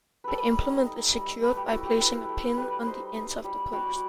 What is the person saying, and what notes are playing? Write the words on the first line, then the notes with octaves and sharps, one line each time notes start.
The implement is secured by placing a pin on the ends of the posts.
G3 A4 B4
D#4
D#4
G3
A3 B4
G4
E4 F#4
G4
E4 B4
A3
G3 B4
D#4 C5
D#4 B4
G3 G4
G3 F#4
F#4